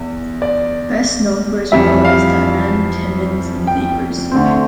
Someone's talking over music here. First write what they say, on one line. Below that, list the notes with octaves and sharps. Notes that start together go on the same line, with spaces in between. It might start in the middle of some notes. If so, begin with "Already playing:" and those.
Best known for his role as "Dylan Timmins" in Neighbours.
Already playing: E2
D5
F2 E3 G3 E5
F5
G5
D2 D3 A3 C4